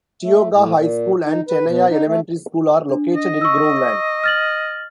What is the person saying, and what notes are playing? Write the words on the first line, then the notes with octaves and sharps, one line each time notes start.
Tioga High School and Tenaya Elementary School are located in Groveland.
A3
A2
A#2
D#4
B4
B2
D#4
A3
D4
D#5
C#6 E6
F6 A6 F#7